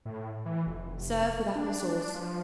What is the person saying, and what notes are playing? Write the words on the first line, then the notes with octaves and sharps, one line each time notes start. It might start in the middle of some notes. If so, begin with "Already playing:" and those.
Serve with apple-sauce.
A2
E3
F1
D4
F3